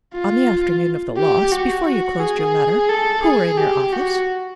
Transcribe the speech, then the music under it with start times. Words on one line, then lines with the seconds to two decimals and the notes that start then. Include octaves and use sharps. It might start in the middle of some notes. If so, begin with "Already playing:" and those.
"On the afternoon of the loss, before you closed your letter, who were in your office?"
0.14 F4
1.17 G4
1.52 F#4
1.86 F#4
2.20 G#4
2.89 A4
3.23 G#4
3.58 G4
3.93 F#4